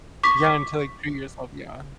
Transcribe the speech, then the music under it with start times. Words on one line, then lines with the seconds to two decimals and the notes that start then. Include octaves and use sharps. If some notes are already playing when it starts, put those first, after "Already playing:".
Yeah, until, like, treat yourself, yeah.
0.23 C#6 D6 B6